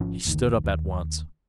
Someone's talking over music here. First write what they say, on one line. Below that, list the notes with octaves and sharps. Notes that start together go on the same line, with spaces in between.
He stood up at once.
G#1 F3 C#4
F#1 D2 D#3
D#2